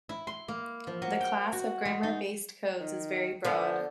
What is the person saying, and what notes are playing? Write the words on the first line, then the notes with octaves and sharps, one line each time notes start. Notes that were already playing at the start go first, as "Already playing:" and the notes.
The class of grammar-based codes is very broad.
E4
C6
A#3
F3
F#3
G5
F#4
G#3
D#4
D#3
D3 F3 B3